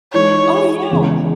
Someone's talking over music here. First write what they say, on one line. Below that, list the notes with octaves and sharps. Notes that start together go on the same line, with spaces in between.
Oh, yeah.
E3 G#3 D#4 C#5
E2 C#3 G#3